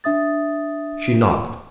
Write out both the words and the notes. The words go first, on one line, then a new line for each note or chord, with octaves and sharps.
She knocked.
D4 E5 D#6 A6